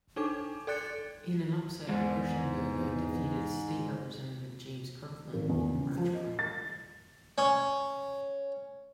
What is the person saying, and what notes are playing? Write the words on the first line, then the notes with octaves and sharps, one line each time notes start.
In an upset, Rauschenberger defeated State Representative James Kirkland in the March primary.
D4 D#4 A4 D6
A4 D5 F#6 A6 C#7
E2 G#2
G#1
E2
C#3
F3
D#5
A6
C#4